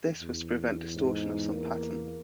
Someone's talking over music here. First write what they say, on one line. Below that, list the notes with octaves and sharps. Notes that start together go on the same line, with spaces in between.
This was to prevent distortion of some patterns.
E2
G#2
A#3